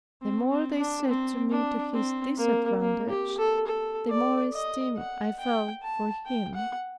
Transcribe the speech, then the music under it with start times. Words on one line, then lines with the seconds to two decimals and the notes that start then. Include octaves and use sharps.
The more they said to me to his disadvantage, the more esteem I felt for him.
0.22 C4
0.51 C4
0.79 D4
1.08 C4
1.51 D4
1.94 C4
2.37 A#3
2.81 A#3
3.10 G4
3.38 A4
3.67 A4
4.10 D5
4.53 D#5
4.97 F#5
5.40 G5
5.83 A5
6.26 G5
6.55 F#5